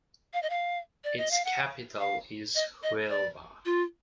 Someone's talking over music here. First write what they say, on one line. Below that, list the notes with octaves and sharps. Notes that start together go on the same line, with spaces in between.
Its capital is Huelva.
F5
D#5
F5
D5
D#5
F5
F#5
F5
D#5
D#5
D5
F4